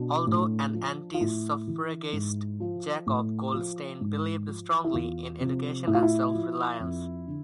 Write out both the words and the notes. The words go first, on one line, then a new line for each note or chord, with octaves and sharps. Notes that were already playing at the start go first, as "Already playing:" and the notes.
Although an anti-suffragist Jacob Goldstein believed strongly in education and self-reliance.
Already playing: B2 D4
A2
F3
F4
A2 E4
E3
G#2
F3
A2
F3
G#2
F3
E4
E2 F4
C3 F3
A2 E4
F4
E4
F3
F2
D3